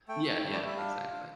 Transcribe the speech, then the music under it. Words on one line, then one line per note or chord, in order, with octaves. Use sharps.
Yeah, yeah, exactly.
A3 G5
A3
G3
D5
G3
E5
D4 F5
F4
D4